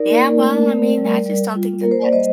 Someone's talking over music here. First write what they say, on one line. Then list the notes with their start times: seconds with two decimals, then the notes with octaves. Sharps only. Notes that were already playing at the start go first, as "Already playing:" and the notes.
Yeah, well, I mean, I just don't think that that's
Already playing: D#4 A#4 D5
0.10 A#3
0.39 A3
0.68 A3
0.98 G3
1.25 G3
1.56 F4
1.81 A#3 A#4
1.91 C5
2.02 D5
2.12 G3 C5 D#5